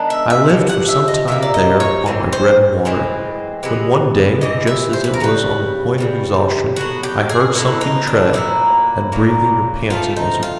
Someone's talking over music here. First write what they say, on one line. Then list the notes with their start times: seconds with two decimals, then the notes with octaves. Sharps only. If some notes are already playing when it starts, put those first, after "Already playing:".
I lived for some time there upon my bread and water, when one day, just as it was on the point of exhaustion, I heard something tread, and breathing or panting as it moved.
Already playing: D#3 G#3 B3 D4
0.10 E5
0.30 E5
0.49 C3 F3
0.69 F#5
0.89 E5
1.08 D#5
1.28 C3 F3 A#3 E5
1.42 D5
1.54 D#5
1.80 C#5
2.06 E3 G#3 C4
2.33 C5
2.85 E3 G#3 C4
3.63 C3 E3 G#3 B3
4.41 C3 E3 D#5
4.67 E5
4.93 C5
5.04 B4
5.14 A#4
5.20 C#3 E3 G3 B4
5.98 C#3 E3 G3
6.76 A2 F#3 B3 F#4
7.03 G4
7.29 G#4
7.55 A2 F#3 B3 E4
7.81 D#4
8.07 D4
8.33 A#2 F#3 A#3 E4
9.12 A#2 F#3 A#3
9.90 F3 A3 C4 F4
10.16 D#4
10.43 F4